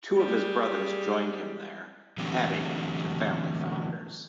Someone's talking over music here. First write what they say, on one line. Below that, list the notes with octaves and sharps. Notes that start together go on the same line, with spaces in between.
Two of his brothers joined him there, adding to family founders.
G3 G#4
D3 E3 F#3 G3 A3 C4